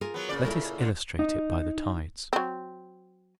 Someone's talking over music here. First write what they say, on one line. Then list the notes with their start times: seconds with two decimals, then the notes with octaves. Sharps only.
Let us illustrate it by the tides.
0.01 F4 G#4 A#4
0.14 F#3 B3
0.29 A#2 C#3 D5
0.45 E4 A4 A#4
0.78 A#2 D3
1.19 D#4
2.33 F#3 C4